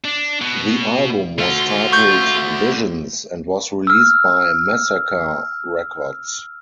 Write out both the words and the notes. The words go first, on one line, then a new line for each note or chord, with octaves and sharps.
The album was titled "Visions" and was released by Massacre Records.
D4
B2
A3 F4 F#4
C#6 G6
E6 F6